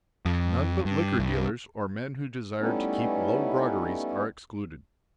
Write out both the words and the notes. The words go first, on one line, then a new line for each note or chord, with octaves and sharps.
None but liquor dealers or men who desire to keep low groggeries are excluded.
F2
G2
C2
G3 A3 B3 C#4 D#4 E4